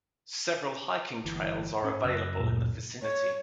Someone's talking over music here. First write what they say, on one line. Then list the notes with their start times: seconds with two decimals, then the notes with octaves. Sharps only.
Several hiking trails are available in the vicinity.
1.25 G1 E3
1.83 G#2 C#4
2.04 F#2 C#3 E6 F#6 A#6
2.38 D2 A#2
3.02 C#5